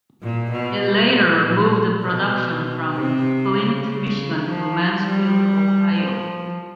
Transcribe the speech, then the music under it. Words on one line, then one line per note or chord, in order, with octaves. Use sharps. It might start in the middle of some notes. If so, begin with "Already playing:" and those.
It later moved production from Flint, Michigan to Mansfield, Ohio.
A#2
B2
B2
B2
A#2
B2
C3
C#3
C#3
F3
G3
F3